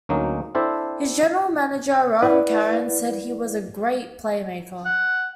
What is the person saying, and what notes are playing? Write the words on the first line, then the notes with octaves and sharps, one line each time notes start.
His General Manager Ron Caron said he was A great playmaker.
D2 F#3 A#3 C#4 D#4
C4 D4 E4 A4 C5 E5
E4 B4 D5 F#5
F#5